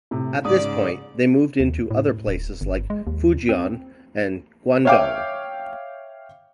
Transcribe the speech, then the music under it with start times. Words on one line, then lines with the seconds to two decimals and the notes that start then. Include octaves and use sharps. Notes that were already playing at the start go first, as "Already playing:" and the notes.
At this point they moved into other places like Fujian and Guangdong.
0.11 A2 C3
0.45 G#2 C#3 D5 D#6
1.60 D#2
1.91 A2
2.27 D1
2.61 G1
2.90 G#3
3.07 D#2
3.49 C4
4.85 C#5 E5 F5 G5 D6